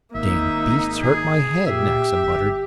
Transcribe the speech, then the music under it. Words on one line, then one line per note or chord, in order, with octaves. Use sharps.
"Dam' beasts hurt m'head," Naxa muttered.
G#1 A#3 D#4 E5
G#4
A#2 G4 E5
G1